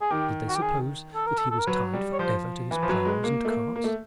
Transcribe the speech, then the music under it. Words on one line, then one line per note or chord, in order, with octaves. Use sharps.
Did they suppose that he was tied for ever to his ploughs and carts?
G#4
D#3 G4
F#4
G4
G#4
A4
A#4
A4
A4
A#4
F#3 B4
G3
C#5
F3 C5
E3 B4
F3
F#3
G#3
A#3
A3
A#3
A#3
A3